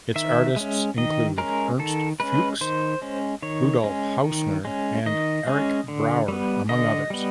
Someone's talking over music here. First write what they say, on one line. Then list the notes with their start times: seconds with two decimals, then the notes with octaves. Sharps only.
Its artists included Ernst Fuchs, Rudolf Hausner and Arik Brauer among others.
0.16 D#3 E5
0.56 G#3 C#4
0.97 D#3 D#5
1.38 G#3 C#4 A#4
1.79 D#3 A4
2.20 G#3 C#4 B4
2.61 D#3 C5
3.02 G#3 C#4
3.42 D#3 C#5
3.84 G#3 C#4
4.24 D#3
4.65 G#3 C#4
5.06 D#3 D#5
5.47 G#3 C#4
5.88 D3
6.28 G3 B3
6.69 D3 D#5
7.10 G3 B3